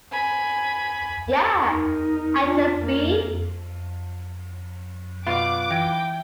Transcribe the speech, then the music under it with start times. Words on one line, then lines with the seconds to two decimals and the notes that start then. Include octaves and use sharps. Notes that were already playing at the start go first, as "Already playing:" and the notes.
Yeah!," and "Just B.
0.12 G#5 B5
1.67 D#4 A#4
2.44 D4 F4
2.81 A#3
5.26 B2 F4 B4 D5 F#5 D6
5.70 E3 G5